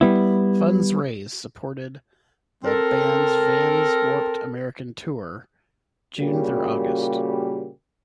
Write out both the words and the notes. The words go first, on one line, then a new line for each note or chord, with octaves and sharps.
Funds raised supported the bands Vans Warped American tour, June through August.
G3 B3 E4
C4 A4 A#4
A#2 C#3 G3 A#3 F#4 G4